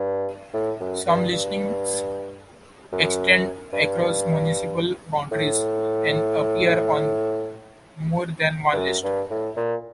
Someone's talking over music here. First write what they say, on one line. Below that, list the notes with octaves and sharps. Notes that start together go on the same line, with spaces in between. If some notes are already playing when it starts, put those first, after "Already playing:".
Some listings extend across municipal boundaries, and appear on more than one list.
Already playing: G2
A2
F#2
G2
G2
F#2
G2
A2
G2
F#2
G2
A2
A#2